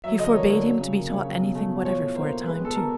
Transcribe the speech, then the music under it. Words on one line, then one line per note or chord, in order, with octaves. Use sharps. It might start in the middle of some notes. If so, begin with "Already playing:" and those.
He forbade him to be taught anything whatever for a time, too.
F#3 E5
D3 D#5
A#3 C#5
D3 C#5
F#3
C#3
A#3
C#3
F#3
B2
A3
B2
F3 C#5
A2
A#3 C5
A2
G#3 B4
B2 A4
B2 A#4